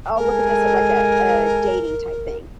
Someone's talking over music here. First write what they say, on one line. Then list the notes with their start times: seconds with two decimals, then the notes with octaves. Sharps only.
I'll look at this at like a a dating type thing.
0.16 G#3 A4 A#4 G#5